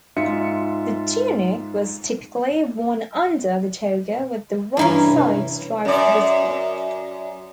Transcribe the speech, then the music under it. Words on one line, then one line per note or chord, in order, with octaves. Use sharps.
The tunic was typically worn under the toga with the right side stripe visible.
G#2 F4 E5 C#7
G2 E3 C#4 E4 A#5
C3
F#2 D5